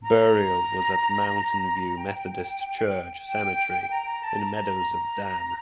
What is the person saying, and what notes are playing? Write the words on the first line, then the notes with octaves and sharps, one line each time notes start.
Burial was at Mountain View Methodist Church cemetery in Meadows of Dan.
A#5
G5
G5
A#5
A#5
A5
A#5
A#5